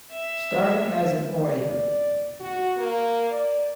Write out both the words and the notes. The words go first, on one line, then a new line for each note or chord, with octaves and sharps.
Starting as an Oi!
E5
D5
F#4
A#3
D5